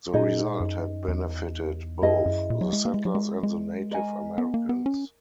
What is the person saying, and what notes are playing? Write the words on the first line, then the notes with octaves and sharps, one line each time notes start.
The result had benefited both the settlers and the Native Americans.
A#2 D#4 G#4 D#5
F#2
E2
F#2 E4 G#4 D#5
F#2
A#2
F#3
G#3
A#3
G#3
F#3
G#3
G#3
A#4 D#5 G#5
B3
A#3
B3
C#4